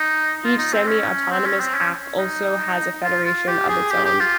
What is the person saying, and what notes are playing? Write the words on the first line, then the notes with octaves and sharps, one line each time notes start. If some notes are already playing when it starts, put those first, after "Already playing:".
Each semi-autonomous half also has a federation of its own.
Already playing: D#4
F4
D#4
C4
C#4
C4
C#4
C4
C#4
D#4
F4
F4
G4
G#4
G4
G4
F4